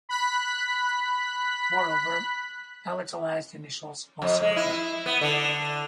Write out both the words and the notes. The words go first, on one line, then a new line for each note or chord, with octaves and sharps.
Moreover, palatalized initials also occur.
B5 F#6 B6
F2
G#3
E4
B3
D3